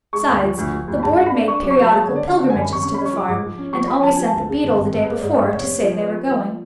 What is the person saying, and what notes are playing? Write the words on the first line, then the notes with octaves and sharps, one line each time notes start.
Besides, the board made periodical pilgrimages to the farm, and always sent the beadle the day before, to say they were going.
G#3 C#6
D2
F3
D2
F3
D2
B5
G#2 A5
D4
B5
D4
D4 C#6
D6
F#3
C#6
F#3 B5
G#3 A5
C#5
D3
D5
D3 F5
D3 F#5
G#5
F#2
B5
G#1 C#6
C#4 C#6
B5
C#4
C#6
F3 D6
G#2 D6
F3
C#4
F3 C#6
F3 B5
F3 A5
F3 G#5
A5
D2
C#3
G#1
G#1
G#2 A4
B4
G#3 C#5
G#2 D5
F5
G#2
D5
F1 C#5
B3
F3
B3
B3
F3